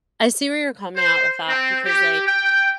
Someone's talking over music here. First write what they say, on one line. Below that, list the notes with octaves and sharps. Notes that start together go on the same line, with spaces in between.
I see where you're coming at with that because like
C5
C4
G4
G5